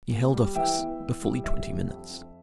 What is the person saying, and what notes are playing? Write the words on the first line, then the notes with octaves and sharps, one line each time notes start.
He held office for fully twenty minutes.
A#2
G3
E3 E5 G5
E2
E3
G3
G3 E5
F2
F2
F2